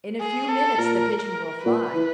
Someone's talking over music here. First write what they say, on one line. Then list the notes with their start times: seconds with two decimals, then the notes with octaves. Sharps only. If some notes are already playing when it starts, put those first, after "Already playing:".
In a few minutes the pigeon will fly.
0.21 G#4
0.49 A4
0.78 A#2 A#4
1.22 A#4
1.66 A#2 B4
1.95 E3